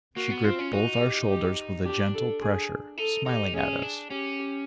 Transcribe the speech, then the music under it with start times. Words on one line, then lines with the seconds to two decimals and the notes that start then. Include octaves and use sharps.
She gripped both our shoulders with a gentle pressure, smiling at us.
0.16 A#3 F#4
0.30 B3
0.44 C4 F4
0.59 C#4
0.73 D#4 F#4
1.00 G4
1.29 G4
1.85 D4 G4
2.14 A4
2.41 G#4
2.98 D#4 A4
3.26 D#4 G4
3.54 C#4 G#4
3.82 D4
4.10 C#4 G4